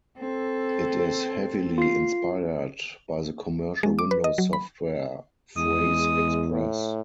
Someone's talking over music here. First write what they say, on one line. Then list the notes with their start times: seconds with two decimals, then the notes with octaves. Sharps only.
It is heavily inspired by the commercial Windows software 'PhraseExpress'.
0.18 C4 A4
1.78 F4 C7
3.83 G#3
3.99 D6
4.11 B4
4.24 D#5
4.38 F#3
4.53 B5
5.57 E2 G#3 D#6
6.51 A2